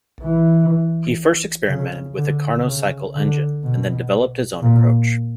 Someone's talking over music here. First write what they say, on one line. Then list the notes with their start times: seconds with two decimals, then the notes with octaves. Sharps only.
He first experimented with a Carnot Cycle engine, and then developed his own approach.
0.23 E3
1.69 C#3
2.17 D3
2.66 C#3
3.15 D3
3.64 B2
4.62 A#2